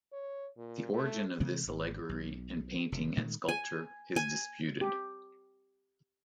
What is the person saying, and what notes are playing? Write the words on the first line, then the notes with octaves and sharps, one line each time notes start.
The origin of this allegory in painting and sculpture is disputed.
C#5
A#2
A3
C3 E3 G#3 C4
G#1
B1
F1 C3
A#2 D#3 G#3 A3
G#5
G#5
G4